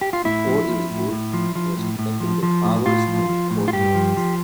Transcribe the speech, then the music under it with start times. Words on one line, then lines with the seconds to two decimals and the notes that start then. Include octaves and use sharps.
The Ordensburg was protected by towers and courtyards.
0.01 G4
0.13 F4
0.25 A2 E4
0.47 F3
0.69 F3
0.90 A2
1.12 A2
1.33 F3
1.55 F3
1.77 A2
1.99 A2
2.20 F3
2.43 F3
2.64 A2
2.86 A2 F4
3.08 F3
3.29 F3
3.51 A2
3.68 F4
3.73 G2 G4
3.95 F3
4.17 F3